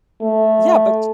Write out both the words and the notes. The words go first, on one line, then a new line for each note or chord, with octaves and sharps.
Yeah, but
A3